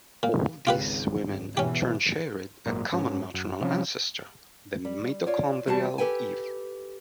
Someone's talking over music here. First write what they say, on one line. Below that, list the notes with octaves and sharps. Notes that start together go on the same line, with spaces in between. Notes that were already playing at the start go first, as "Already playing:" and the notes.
All these women in turn shared a common maternal ancestor, the Mitochondrial Eve.
A#2
G#1 C#2 F4 G4 B4
E2 B2 E3 C#4 G4
G#1 F#2 A#2
G#2 C#4
F#2
C3 F3 C#4
G3
F4 C#5 D5
E2 G3 F#4 G#4 A5
G4 A4 B4 G5 G#5